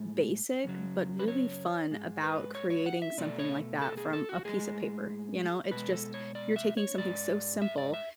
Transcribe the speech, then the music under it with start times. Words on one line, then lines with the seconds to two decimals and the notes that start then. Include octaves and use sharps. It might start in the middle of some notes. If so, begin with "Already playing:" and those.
basic but really fun about creating something like that from a piece of paper, you know. It's just, you're taking something so simple
Already playing: A2 G#3
0.64 F#2 C#3 F#3
1.19 B4
1.28 C#5
1.91 G#2 G#3
2.23 B4
2.55 C#5
2.70 C#5
2.86 F#5
3.02 E5
3.18 B2 A3 D5
3.39 C#5
3.82 A4
3.97 G#4
4.13 A4
4.29 F#4
4.45 A2 G#3 G#4
5.71 B2 G#3 B4
5.93 A4
6.14 C#5
6.35 D5
6.56 E5
6.77 C#5
6.98 G#2 G#3 D5
7.62 E5
7.78 D5
7.94 E5